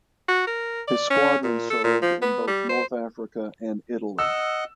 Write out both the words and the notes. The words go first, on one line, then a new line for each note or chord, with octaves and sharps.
His squadron served in both North Africa and Italy.
F#4
A#4
D5
C#4
A#2
A4
A#2
F3
B3
G3
C5
D#5 F#5 E6